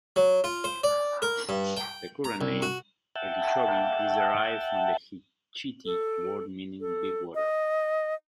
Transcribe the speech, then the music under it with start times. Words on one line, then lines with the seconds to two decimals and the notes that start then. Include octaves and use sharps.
The current name, Okeechobee, is derived from the Hitchiti word meaning "big water".
0.16 F#3
0.44 F4
0.64 C5
0.84 D5
1.22 A#4
1.49 G2
1.77 G5
2.24 A#5
2.41 C2
2.62 F#4
3.16 E5 F#5 G5 A5
5.85 A4
6.80 A4
7.35 D#5